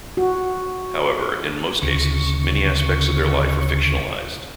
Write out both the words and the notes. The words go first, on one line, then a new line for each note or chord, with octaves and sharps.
However, in most cases, many aspects of their life are fictionalized.
F#4
D2 C#3 C#6